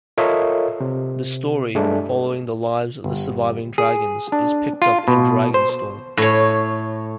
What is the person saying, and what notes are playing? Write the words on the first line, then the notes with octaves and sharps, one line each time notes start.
The story, following the lives of the surviving dragons, is picked up in Dragonstorm.
F4 A4 A#4 C#5 D#5 E5
C3
G2 G#3 A3 D4
G1
G#4
D4
F4
B2
C5
A2 C#5